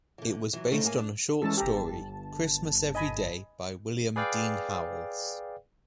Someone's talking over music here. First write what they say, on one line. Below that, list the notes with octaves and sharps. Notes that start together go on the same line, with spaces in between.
It was based on a short story, "Christmas Every Day" by William Dean Howells.
D3 E3
E3 F#3
C#3 A3 B3 C4 D#4
A2 A#3 G#5
D4
E3 G#3 C#4 A4 A5
G1 G4 A5 A#5
D#5 G#5 B5
G#4 B4 D5 F5 G5